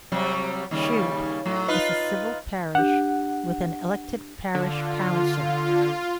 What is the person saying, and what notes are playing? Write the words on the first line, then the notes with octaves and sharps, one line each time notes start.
Chute is a civil parish with an elected parish council.
C3 F#3 G3
D#2 C#3 G3
A2 F#3
D#4 F4 B4
D4 G4 F#5
D3 F4